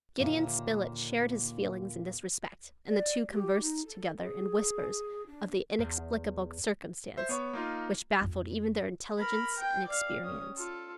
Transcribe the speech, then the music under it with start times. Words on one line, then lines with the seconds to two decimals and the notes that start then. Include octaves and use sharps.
Gideon Spilett shared his feelings in this respect, and the two conversed together in whispers of the inexplicable circumstance which baffled even their intelligence and experience.
0.18 D#2 A#2 D3 A#4 E5
2.86 D5
3.31 G4
3.61 D#4
3.85 A4
4.20 G#4
5.27 D4
5.79 E2
7.17 C5 E5
7.29 B3 C#5 C#6
7.53 A#3 D#4 F4
8.21 F2 F4
9.18 A#4 B5
9.58 G5
9.86 D5 F5
10.23 C#4 D#6
10.56 F4 A4